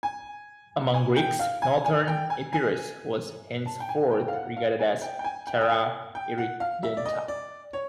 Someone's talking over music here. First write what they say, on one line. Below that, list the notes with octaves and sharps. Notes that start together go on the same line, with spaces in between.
Among Greeks, northern Epirus was henceforth regarded as "terra irredenta".
G#5
G#5
G5
F5
G#5
G#5
G5
G#5
G#5
A5
G5
G#5
G5
F5
F#5
F#5
F5
G#5
G5
G5
G#5
G5
G5
G#5
G5
F#5
F5
E5
D5
D#5
D5
C#5